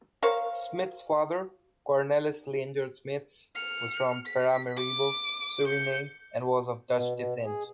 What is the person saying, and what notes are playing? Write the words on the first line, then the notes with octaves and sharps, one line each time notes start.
Smits's father, Cornelis Leendert Smits, was from Paramaribo, Suriname, and was of Dutch descent.
A#4 C5 C#5 F5
F6 C#7
B6
D6
G6 C#7
B2
B2
G#4